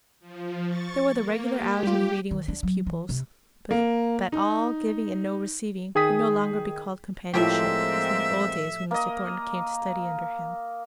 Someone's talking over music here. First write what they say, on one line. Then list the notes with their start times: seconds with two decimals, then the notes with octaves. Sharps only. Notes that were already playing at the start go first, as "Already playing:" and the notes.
There were the regular hours of reading with his pupils, but that all giving and no receiving could no longer be called companion-ship, as in the old days when Mr. Thornton came to study under him.
0.20 F3
0.67 C#6 A6
1.11 A#3
1.49 G4
1.83 G3 F4
2.31 D#3
2.48 D4
2.63 F#3
2.86 E3
3.09 C3
3.71 A#3
4.32 D#4
5.95 D#3 G#4 G5 D#6 B6
7.33 A2 F3 G#3 A#3 C4 G4 E5
8.91 A#3 D#5